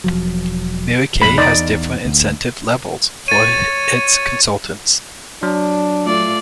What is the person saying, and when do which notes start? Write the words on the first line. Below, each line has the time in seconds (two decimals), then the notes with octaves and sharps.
Mary Kay has different incentive levels for its consultants.
0.04 E1 F3 F#3
1.22 A#1 F2 A2 B5
1.38 E2 D#4 D5
2.05 D2
3.28 C#5 A6 D#7
5.43 F#3 D4
6.05 A3 F4 D5